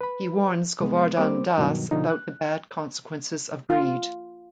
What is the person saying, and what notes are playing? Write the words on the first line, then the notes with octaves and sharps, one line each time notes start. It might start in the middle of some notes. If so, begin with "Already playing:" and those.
He warns Govardhan Das about the bad consequences of greed.
B4 B5
C2 G#3 B3
G3 A#3 C4 C5 D6
G2 B2 D#3 F#3
B2 D3 F3 D#4
F#6
F4